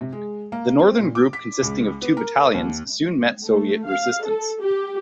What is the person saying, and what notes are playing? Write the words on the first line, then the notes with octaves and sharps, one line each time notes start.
The northern group consisting of two battalions soon met Soviet resistance.
C3
G#3
A#3
C4
A#2
D6
B6
C#2
B3
A#4
D#2
A3
F5
A4
G4